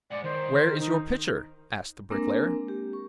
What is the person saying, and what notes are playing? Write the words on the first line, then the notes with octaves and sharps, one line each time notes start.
'Where is your pitcher?' asked the bricklayer.
G#3 D5 F#5
D#3 C5
A#4
D#4
G#3 A#3 C4 D4 A#4
G4
C#6